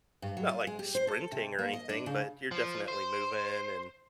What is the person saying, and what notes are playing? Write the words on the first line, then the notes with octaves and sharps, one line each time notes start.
not like sprinting or anything, but you're definitely moving and
G2
F#3
F4
G#3
G4
C5
A4
C3
A#3
D#5
D4
C#3
F3
C5